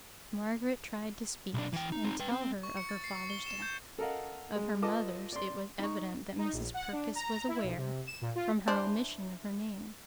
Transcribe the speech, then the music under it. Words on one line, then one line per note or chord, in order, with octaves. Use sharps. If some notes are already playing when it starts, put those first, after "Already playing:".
Margaret tried to speak and tell her of her father's death; of her mother's it was evident that Mrs. Purkis was aware, from her omission of her name.
B1 D4
E3 G5
D#4
C4 D#4
B4 G5
C4
C#6
C#7
A6
C7
C#6
G7
E7
G6
A4 A#4 D#5 F5 F#5
G#3
F4 A4 B4 D#5 A5 D6
D5 C6
D#4 C#6
D#4
A#1
F#5
D4
A#5
E4
B1
C3
E7
A#2
F4
E3 D4 C5